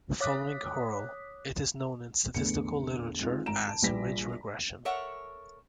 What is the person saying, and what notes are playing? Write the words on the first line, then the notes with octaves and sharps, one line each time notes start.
Following Hoerl, it is known in the statistical literature as ridge regression.
C#5 D6 D#6 F#6 B6
A1 E2 D3 B3 C#7
G#3 C4 D#4 F4
G#1 A#5 D7 E7
A5
A#1 G3 F4 B4 A#6 B6
A4 A#4 C#5 E5 F#5